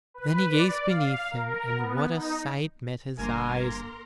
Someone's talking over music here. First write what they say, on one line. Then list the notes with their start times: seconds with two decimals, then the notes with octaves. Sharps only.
Then he gazed beneath him, and what a sight met his eyes!
0.14 B4
0.51 D5
0.88 F5
1.31 A#4
1.75 B3
2.13 D#4
3.19 G1 A#3 A#4 G#5 A#5 C6